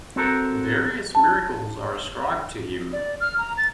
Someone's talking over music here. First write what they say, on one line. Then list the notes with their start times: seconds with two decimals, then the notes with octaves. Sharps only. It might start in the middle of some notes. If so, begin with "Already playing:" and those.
Various miracles are ascribed to him.
0.16 C4 F#4 A4 A#4
1.15 A5
2.93 D5
3.21 F6
3.38 A#5
3.58 A6